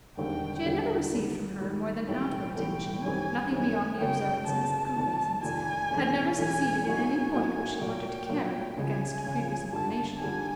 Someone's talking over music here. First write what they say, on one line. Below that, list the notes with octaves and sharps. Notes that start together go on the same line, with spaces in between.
She had never received from her more than outward attention, nothing beyond the observances of complaisance; had never succeeded in any point which she wanted to carry, against previous inclination.
E1 D#2 D3 G3 C4 G5
E1 D#2 D3 G3 C4
G#2 D#3 G3
G#2 D#3 G3
B1 A2 E3 G3 B3 G5
B1 A2 E3 G3 B3 G5
F#2 D#3 G3 C4 G#5
F#2 D#3 G3 C4 G#5
F#2 C#3 F#3 B3 G5
F#2 C#3 F#3 B3 A5
F1 F2 C3 D#3
F1 F2 C3 D#3 G#5
B1 A2 E3 G#3 C#4
B1 A2 E3 G#3 C#4 G#5
A2 F#3 A#3 D#4 F#4 G#5
A2 F#3 A#3 D#4 F#4 G#5
A#2 F#3 A#3 G5
A#2 F#3 A#3
C#2 C#3 F3 G#5
C#2 C#3 F3
G1 F2 D3 G3 A5
G1 F2 D3 G3 G#5